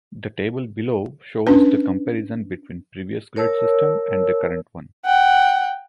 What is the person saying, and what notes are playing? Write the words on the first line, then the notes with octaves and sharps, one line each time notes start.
The table below shows the comparison between previous grade system and the current one.
C#4 D4 B4
A#4 C#5 A5 E6
F#5 G5